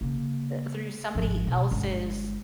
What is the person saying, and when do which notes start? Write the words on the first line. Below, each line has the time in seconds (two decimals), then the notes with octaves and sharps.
uh, through somebody else's,
0.01 C#3 A#3
1.15 G#1 F3
1.47 B2
1.71 G1 G#3